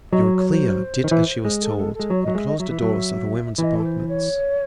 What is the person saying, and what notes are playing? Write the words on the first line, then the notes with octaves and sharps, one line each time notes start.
Euryclea did as she was told and closed the doors of the women's apartments.
F#3 D#5
C#5
C#5
C5
D#3
E3
G#3
A4
A4
A4
G#3
F#3 C#5
F#3 D#5
G#3 E5
D#5
F#3 E5
E3
F#3
E3 D#5 E5
A4
C5
C#5